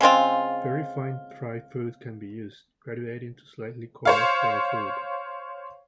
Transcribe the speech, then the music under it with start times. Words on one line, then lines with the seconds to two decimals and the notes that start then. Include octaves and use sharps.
Very fine fry food can be used, graduating to slightly coarse fry food.
0.01 C#3 G#3 C4 F4
4.05 C5 C#5 F5